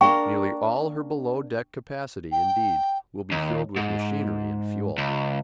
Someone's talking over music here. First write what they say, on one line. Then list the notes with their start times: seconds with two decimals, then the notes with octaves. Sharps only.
Nearly all her below-deck capacity, indeed, will be filled with machinery and fuel.
0.01 A#3 D4 A#4 G5 C#6
2.32 G5
3.32 D#2
3.76 G#2
4.98 C#2